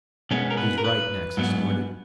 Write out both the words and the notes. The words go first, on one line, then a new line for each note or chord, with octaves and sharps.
"He's right," Naxa snorted.
B2 G#3 B3 C#4
A#4
B4
A#4
B4
G#2 F#3 B3